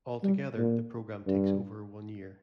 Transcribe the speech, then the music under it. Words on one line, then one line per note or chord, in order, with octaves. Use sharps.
All together the program takes over one year.
G3
A#2
G2